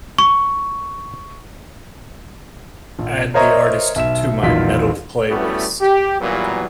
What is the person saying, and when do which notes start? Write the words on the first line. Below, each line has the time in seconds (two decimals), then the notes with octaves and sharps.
Add the artist to my Metal playlist.
0.18 C#6
2.99 A#1
3.34 A#4 C5 C#5 D#5 E5 A#5
3.96 B1 E5 E7
4.43 A#1 E2 D#3 F#3 F4 B6
5.30 G3 A3 B3 C#4 E4 F#4
5.81 G4
6.21 A#2 E3 F#3 G3 A#3 B3